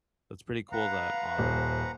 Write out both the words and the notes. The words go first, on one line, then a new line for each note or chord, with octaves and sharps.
so it's pretty cool that, um
B4 F5 F#5 A#5
D#1 C5